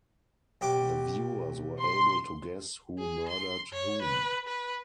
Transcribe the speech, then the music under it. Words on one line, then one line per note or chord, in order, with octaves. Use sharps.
The viewers were able to guess who murdered whom.
B1 G4 D6
C6
G#4
C6
C#5
B4
B4